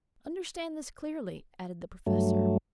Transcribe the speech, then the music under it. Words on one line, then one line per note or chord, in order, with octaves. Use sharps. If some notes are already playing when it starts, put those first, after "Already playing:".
"Understand this clearly," added the Professor.
G2 F#3 A3